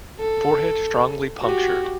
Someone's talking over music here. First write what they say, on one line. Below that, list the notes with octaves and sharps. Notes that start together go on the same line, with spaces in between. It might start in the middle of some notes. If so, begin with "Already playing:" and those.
Forehead strongly punctured.
A4
F#4 G4